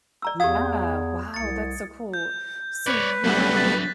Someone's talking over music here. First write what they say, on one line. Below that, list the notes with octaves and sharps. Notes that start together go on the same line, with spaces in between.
Yeah, wow, that's so cool. So what are the
D5 A#5 E6
E2 G4 F5 D#6 G#6
C2 A6 C#7
G6
B4 C#5 D5
F#3 G3 A3 B3 D4
F#6 A6 B6